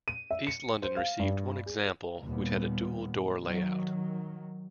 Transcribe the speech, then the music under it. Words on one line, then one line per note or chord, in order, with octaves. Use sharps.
East London received one example which had a dual door layout.
D#7
E5
C#7
C5
F5
G2
G#4
D#2 A#2 G3 B3
D#3 F#3